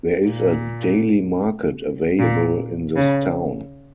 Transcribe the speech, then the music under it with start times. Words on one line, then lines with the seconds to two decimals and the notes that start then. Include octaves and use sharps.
There is a daily market available in this town.
0.27 A#2
2.19 A#2
2.96 C#3